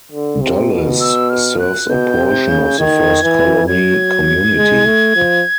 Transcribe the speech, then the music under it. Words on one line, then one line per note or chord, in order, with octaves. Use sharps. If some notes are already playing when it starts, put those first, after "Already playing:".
Dulles serves a portion of the First Colony community.
D3
C3
B2
E6
F6
F#6
B2 G6
C3
C#3
D#3 G#6
E3
F#3 G#6
G#3
A3
F3